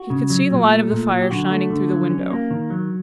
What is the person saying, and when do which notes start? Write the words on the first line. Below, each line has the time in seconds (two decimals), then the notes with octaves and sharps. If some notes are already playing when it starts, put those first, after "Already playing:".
He could see the light of the fire shining through the window.
Already playing: F#4
0.10 C#3
0.30 F#3
0.51 A#2
0.70 A3
0.90 A#2
1.10 F#3
1.22 G4
1.30 D3 F#4
1.50 A3
1.70 D3
1.90 F#3
2.10 C#4
2.31 A#3
2.51 D#3
2.70 F#3